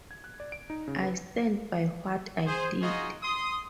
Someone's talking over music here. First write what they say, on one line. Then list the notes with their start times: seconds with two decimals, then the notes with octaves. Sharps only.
I stand by what I did.
0.11 G#6
0.24 F#6
0.40 D5
0.52 D7
0.70 D#4
0.88 C#3
1.03 B4
2.46 G#4 C5
2.82 D#4 F4 F#4 G#4 D#5
3.23 C6 D#6